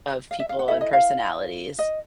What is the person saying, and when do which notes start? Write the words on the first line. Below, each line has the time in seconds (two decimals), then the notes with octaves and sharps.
of people and personalities.
0.31 F5
0.40 E5
0.49 F5
0.59 F#5
0.68 E4 A4 E5
0.81 D#5
0.93 F5
1.79 D#5